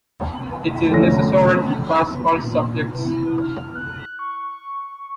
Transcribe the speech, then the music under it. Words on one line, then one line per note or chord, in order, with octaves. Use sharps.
It is necessary to pass all subjects.
F2 D3 A3 C#4 A#6
A#2
E4
F6
F#6
C#6